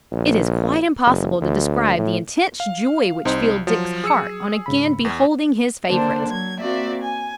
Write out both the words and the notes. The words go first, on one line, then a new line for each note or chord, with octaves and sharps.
It is quite impossible to describe the intense joy which filled Dick's heart on again beholding his favourite.
A#1
F#1
D2
A2
F5
C2 C4 D#4 C5
F3 F#3
G#4 E6 C#7
G#2 C#3 B5
E2
D3 A#3 D4 C5
F#3 G#6
A#3 C4 F#4 D5 E5
G#5